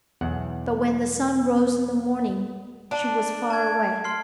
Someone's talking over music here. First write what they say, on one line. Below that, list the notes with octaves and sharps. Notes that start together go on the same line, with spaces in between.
But when the sun rose in the morning, she was far away.
B1 E2 F#5
D4 A5 D7
A5 G#6
C6 F6 C7